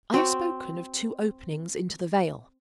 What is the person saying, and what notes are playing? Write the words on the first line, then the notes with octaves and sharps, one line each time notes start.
I have spoken of two openings into the vale.
C4 F#4 G5